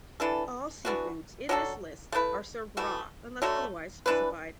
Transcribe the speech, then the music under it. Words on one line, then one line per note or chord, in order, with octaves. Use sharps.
All seafoods in this list are served raw unless otherwise specified.
E3 D4 A4
E3 B3 D4 F#4
F#3 D4 F#4 A4
A3 E4 B4
E3 A3 F#4
D3 F#3 A3 F#4
E3 D4 B4